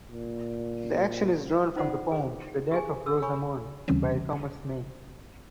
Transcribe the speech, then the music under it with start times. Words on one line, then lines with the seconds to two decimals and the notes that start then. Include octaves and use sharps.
The action is drawn from the poem "The Death of Rosamond" by Thomas May.
0.11 A#2
1.76 C#4 D#4 F4 C5 D5 F#5
2.12 G#4
2.71 G4 G#4 G#5
3.06 A4 E6
3.22 C#5 G#5 B5 C#6
3.88 D#2 C#3 E3 G3 C4 C#4